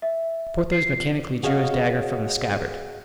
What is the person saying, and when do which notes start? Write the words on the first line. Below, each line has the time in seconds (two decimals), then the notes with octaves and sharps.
Porthos mechanically drew his dagger from the scabbard.
0.02 E5
0.72 C7
1.43 F#4 G#4 C#5 D#5 F5